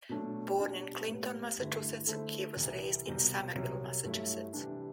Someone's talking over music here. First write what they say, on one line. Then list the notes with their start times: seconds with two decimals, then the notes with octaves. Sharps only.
Born in Clinton, Massachusetts, he was raised in Somerville, Massachusetts.
0.09 B2 F#3 A3 D4
0.59 B2 G3 D4
1.08 A2 G3 B3
1.57 G2 D3 A3 E4
2.06 D3 A3 E4 A4 C5
2.57 C2 C3 E3
3.05 C2 B2 G3 C4
3.55 C2 C3 F#3
4.04 G2 F#3 A3 E4
4.53 C3 E3 G3 D4